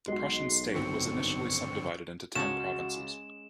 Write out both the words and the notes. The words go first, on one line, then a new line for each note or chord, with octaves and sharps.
The Prussian state was initially subdivided into ten provinces.
B1 G#3 F#4 C6
G2 D3 D#3 C4 C#6
C#2 G#3 C#4 F#4 A5 E7